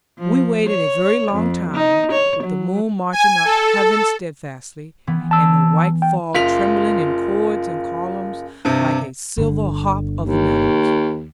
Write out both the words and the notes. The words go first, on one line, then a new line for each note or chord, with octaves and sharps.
We waited a very long time, with the moon marching up heaven steadfastly, and the white fog trembling in chords and columns, like a silver harp of the meadows.
F3
C#5
F2
D#4
C#5
F#3
G#5
A4
E3 B3
A5 E6
G5
F#1 F4 B6 F7
G2 C3
G1 D3
D#2